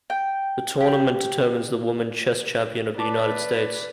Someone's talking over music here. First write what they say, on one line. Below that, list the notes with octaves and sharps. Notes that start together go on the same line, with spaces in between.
The tournament determines the woman chess champion of the United States.
G5
G4
B4 D5 A5 D6